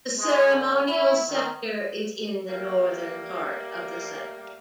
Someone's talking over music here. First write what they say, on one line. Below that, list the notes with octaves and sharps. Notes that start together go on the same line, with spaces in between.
The ceremonial sector is in the northern part of the site.
G#3
D3
E4
D#3
G3 A3 A#3